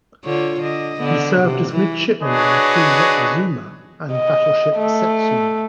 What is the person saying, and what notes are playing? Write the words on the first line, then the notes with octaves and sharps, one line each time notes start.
He served as midshipman on the cruiser "Azuma" and battleship "Settsu".
D3 F4 C#5
D3 D#5
D3 B3
C3
E3
D4 F#4 G#4 B4 C#5 D#5
D#5
A3